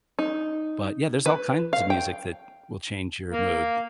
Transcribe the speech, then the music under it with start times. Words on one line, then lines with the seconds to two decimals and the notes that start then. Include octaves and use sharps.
But, yeah, there's all kinds of music that will change your mood.
0.19 D#4
1.26 B4
1.73 F5
1.90 G5
3.32 A#3